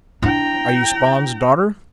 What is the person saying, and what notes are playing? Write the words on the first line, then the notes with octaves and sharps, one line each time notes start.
"Are you Spawn's daughter?"
D4 E4 G5 A#5